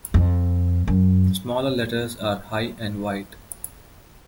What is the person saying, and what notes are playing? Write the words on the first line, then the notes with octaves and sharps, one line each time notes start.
The smaller letters are high and wide.
F2
F#2